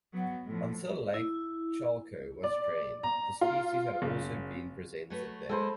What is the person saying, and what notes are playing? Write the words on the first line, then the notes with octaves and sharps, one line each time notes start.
Until Lake Chalco was drained, the species had also been present there.
F#3 B3
A2 F3
E4
D5
A#5
F4
F#1
F#3 A3 B4
G#3 A4 C5 B5